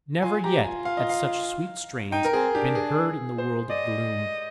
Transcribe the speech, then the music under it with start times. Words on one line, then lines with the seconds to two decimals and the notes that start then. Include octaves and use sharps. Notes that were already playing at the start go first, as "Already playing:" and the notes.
Never yet had such sweet strains been heard in the world of gloom.
0.22 F4 G#5
0.44 G4 A#5
0.64 F4 G#5
0.85 F5
0.97 D#5
1.09 F5
2.11 D#4 G5
2.25 A#4
2.33 C4 G#4
2.54 D4 G4
2.75 G#4
3.38 C5
3.70 D5 D#5